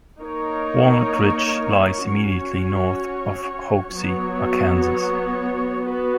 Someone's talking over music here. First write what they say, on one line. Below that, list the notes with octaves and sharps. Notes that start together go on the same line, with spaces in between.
Walnut Ridge lies immediately north of Hoxie, Arkansas.
A#3 D#4 A#4 C#5
C#4 F#4 C#5
F#3 B3 F#4 C#5
B3 F#4 B4